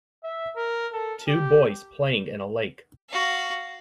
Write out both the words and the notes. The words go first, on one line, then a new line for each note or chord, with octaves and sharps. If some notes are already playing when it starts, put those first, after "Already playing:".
Two boys playing in a lake.
E5
A#4
A4
G4
F#4 F5